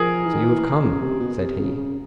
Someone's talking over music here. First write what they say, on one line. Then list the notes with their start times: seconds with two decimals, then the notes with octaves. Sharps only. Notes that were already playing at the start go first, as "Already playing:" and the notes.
"So you have come?" said he.
Already playing: F3 G#4 A#4
0.25 E3
0.34 D#3
0.45 E3
0.82 C#3
1.01 C3
1.20 B2
1.39 C3
1.57 C#3
1.77 C#3